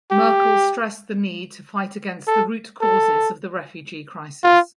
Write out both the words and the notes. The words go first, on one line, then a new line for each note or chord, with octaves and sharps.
Merkel stressed the need to fight against the root causes of the refugee crisis.
G4
A4
A4
F4